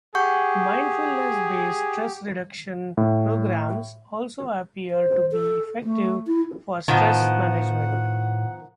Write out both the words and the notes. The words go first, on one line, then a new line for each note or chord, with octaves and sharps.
Mindfulness based stress reduction programs also appear to be effective for stress management.
G4 G#4 F#5 C#6 G6
A2
C5
A4
A3
E4
A2 D#3 F3 B3 F#5